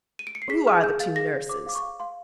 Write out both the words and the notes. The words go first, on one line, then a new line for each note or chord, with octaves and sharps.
'Who are the two nurses?'
D#7
D7
C#7
C7
G#4 B6
G#4 F6
G#4 G6
F5 A6
G#4 A#6
C#5
C5 D6
F5 D6
C#6
F5
F5 C6